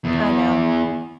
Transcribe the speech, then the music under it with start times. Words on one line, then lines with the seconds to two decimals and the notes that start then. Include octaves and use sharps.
I know,
0.05 E2